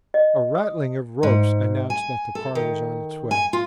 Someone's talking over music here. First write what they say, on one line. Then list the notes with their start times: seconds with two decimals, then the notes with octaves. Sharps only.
A rattling of ropes announced that the car was on its way.
0.14 D#5
0.55 D#6
1.23 G#2
1.90 G#5
2.35 A4
2.55 D#3
3.31 G#5
3.53 F4